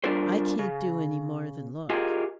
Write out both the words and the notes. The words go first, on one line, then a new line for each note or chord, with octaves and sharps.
"I can't do any more than look."
G3 D4 F4 A#4 C5
C#3
F4 G4 G#4 A#4 D#5 G#5